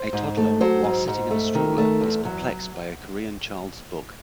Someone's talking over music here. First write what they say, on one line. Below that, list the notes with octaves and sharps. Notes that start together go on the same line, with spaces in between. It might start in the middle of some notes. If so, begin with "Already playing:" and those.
A toddler, whilst sitting in a stroller, is perplexed by a Korean child 's book.
Already playing: C5
G#2
A3
F#3 C5
G#2
G#2
A3
D#3
A3
E2
F#3